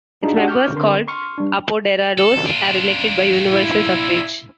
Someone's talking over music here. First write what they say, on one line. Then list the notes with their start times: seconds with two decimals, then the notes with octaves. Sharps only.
Its members, called "apoderados", are elected by universal suffrage.
0.23 D4 D#4 F4 F#4 G#4
0.36 D4 F#4 G4 F#5 G5
0.48 C#6 D6 F6 G6
0.72 D3 C4 A#4 C6
1.08 C6 C#6 F6
1.38 G3 D4
2.18 A4
2.45 D4 F4
3.51 E4